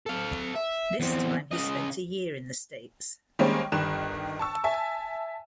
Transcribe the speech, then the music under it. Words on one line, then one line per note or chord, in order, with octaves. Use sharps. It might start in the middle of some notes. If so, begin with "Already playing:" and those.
This time he spent a year in the States.
A4 F5
E5
E2 C4
C#3 D#5
D#3 G3 G#3 A#3 C4 C#4
G1 D#3 G3 F#6 E7
A5 C#6 E6
E5 G#5 A5